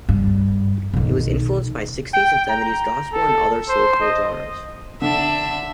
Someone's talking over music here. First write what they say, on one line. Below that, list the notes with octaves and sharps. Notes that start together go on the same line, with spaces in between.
It was influenced by sixties and seventies gospel and other soulful genres.
G2
B1 D#3
G5
A#5
A4
C5
D#5
D3 D4 E5